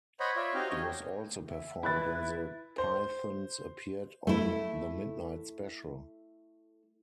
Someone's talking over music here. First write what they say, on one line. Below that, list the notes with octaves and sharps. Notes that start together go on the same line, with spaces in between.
It was also performed when the Pythons appeared on "The Midnight Special".
C5 C#5 D#5 F#5 B5
F4 C#5 D5 E5
C4 D#4 F#4 G4 D#5 F5
G4 C#5 D#5
E5
E4 B4 B5 F#6 A6
C5
A3 E4